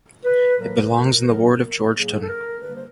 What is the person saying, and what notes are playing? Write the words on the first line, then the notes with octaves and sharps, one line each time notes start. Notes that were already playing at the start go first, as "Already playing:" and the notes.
It belongs in the ward of Georgetown.
B4
A2 F#3 A#3 A#4
A2 F#3 A#3
A2 F#3 A#3 G#4
A4
A#4
G2 D3 G3 A#3 B4
C5